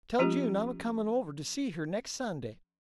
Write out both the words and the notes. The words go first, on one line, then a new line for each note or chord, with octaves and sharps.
"Tell June I'm a-comin' over to see her next Sunday."
F3 C#4 F4 G4